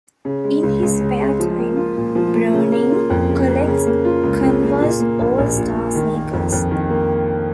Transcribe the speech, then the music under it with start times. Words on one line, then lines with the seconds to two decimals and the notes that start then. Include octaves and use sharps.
In his spare time, Bruening collects Converse All-Star sneakers.
0.25 C#3
0.44 G#3
0.63 C#2
0.82 C#2
1.01 C#3
1.20 G#3
1.40 F3
1.58 A#3
1.77 F4
1.96 A#2
2.15 F3
2.34 A#3
2.53 C#3
2.72 A#3
2.90 F4
3.10 F2
3.29 C#3
3.48 A#3
3.67 C#3
3.87 A#3
4.05 F4
4.23 C#2
4.43 C#3
4.63 A#3
4.81 A#2
5.00 A#3
5.20 A#1
5.38 A#1
5.57 A#2
5.76 A#3
5.95 D#3
6.14 A#3
6.33 F2
6.52 F2
6.71 D#3
6.90 A#3